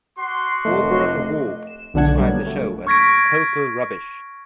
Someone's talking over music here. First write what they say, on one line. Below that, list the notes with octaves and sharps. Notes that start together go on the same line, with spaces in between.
Auberon Waugh described the show as "total rubbish".
F#4 C6 D6
F1 A3 D#5
E7
B1 D3 A3 D4 F#5 G#6
F#3 G3 B3
A#3
A3
C#6 F6 G#6 A#6 B6 D7